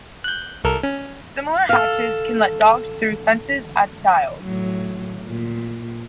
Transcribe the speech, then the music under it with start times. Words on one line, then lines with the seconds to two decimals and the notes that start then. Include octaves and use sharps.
Similar hatches can let dogs through fences at stiles.
0.24 F#6 G6
0.64 C2 A4 A#4
0.83 C#4
1.69 A4 F5
4.42 A2 F#3
5.26 A#2